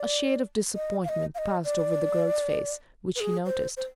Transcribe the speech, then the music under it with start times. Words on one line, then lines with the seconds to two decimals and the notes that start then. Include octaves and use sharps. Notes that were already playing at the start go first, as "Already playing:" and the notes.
A shade of disappointment passed over the girl's face, which he noticed.
Already playing: D5
0.75 D#5
1.04 F5
1.09 D#5
1.35 F5
1.38 D#5
1.65 D5
3.16 B4
3.20 G#4
3.46 C5
3.77 C5